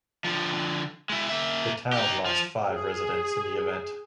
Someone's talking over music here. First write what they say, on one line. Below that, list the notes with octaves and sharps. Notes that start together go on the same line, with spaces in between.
The town lost five residents in the event.
D3 F3
G#3 E4
A#3 E5
D#4 G4
F3
G#4